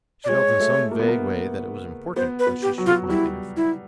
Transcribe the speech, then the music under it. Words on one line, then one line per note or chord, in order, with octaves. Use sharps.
She felt in some vague way that it was important that she should make an effort.
D5
G#3 C#5
A3
A#3
B3
A#3
B3 C5
B4
B3
G4
F#3
F4
F#3
G3 E4
E4